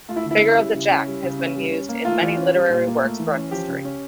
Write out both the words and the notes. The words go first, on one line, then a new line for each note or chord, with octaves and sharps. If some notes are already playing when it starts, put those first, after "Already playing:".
The figure of the jack has been used in many literary works throughout history.
A3 F4
E4
D3
E4
C#4
G3
C#3
C#4
G3
C#3
C#4
G3
C#4
A#3
A3 F4
E3
C#4
G3
A#2
A#3
A3
E3
C#4
F3 G4
C#3
C#4